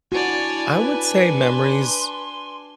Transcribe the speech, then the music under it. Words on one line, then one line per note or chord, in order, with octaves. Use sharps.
I would say memories
D4 E4 F#4 C#5 D5 G#5
B4
C6